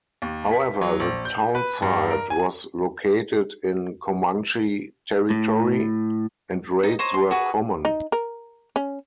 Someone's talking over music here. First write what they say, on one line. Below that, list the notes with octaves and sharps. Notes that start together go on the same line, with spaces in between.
However the townsite was located in Comanche territory and raids were common.
D#2
B6
F#3
A#1
G6
B4
G2
A#4
G#5
A2
D#4
C5 C#5 D#5 A#5
C6
F#4 G#4 B4
D#4
A#4
C#4